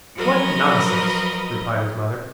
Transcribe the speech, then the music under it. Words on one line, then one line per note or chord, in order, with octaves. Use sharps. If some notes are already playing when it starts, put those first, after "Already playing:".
"What nonsense," replied his mother.
F3 F#3 A#4 B4 D#5